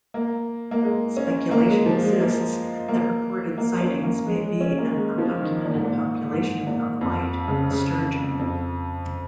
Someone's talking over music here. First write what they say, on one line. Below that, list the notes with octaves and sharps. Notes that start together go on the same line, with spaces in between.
Speculation exists that reported sightings may be an undocumented population of white sturgeon.
A#3
A#3
G#3
C#4
A#3
G#3
F3
G#3
A#3
A#3
A#3
C#4
A#3
G#3
G#3
C#4
A#3
G#3
F3
D#3
A#2
G#2
A#2
G#2
A#2
F2
C#3
C#3
F2